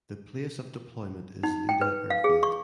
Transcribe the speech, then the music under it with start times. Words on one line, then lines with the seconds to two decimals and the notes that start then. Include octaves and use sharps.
The place of deployment is Lida Airfield.
1.43 D#4
1.69 G5
1.81 B4
2.10 F5
2.24 G#4
2.43 C#6